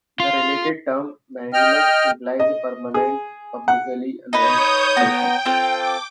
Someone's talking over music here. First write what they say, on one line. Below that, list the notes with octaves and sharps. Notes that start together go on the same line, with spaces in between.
The related term "bannimus" implies a permanent, publicly announced expulsion.
F4
D#5 G5 F6
D#5
G#4
F#5
D#4 B4 C#5 D#6 G6
B3 G5 A#5
C4 F4 A4
D6